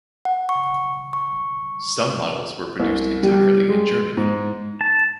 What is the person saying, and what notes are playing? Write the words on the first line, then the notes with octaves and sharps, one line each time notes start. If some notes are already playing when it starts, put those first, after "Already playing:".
Some models were produced entirely in Germany.
F#5
C#6
C#6
C2
G3
G#3
G#2
A5